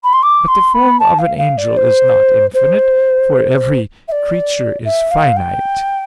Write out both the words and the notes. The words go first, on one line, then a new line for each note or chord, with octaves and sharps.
But the form of an angel is not infinite, for every creature is finite.
B5
C6
D6
C6
B5
A5
F5
F5
D5
C5
C5
E5
D5
E5
F5
G5